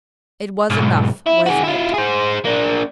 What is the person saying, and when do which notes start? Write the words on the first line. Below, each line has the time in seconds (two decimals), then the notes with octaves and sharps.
It was enough, wasn't it?
0.70 B1 G#2
1.26 E4
1.46 F#4 G#4
1.64 E4 F4
1.94 G#4 C5
2.45 A#3 D4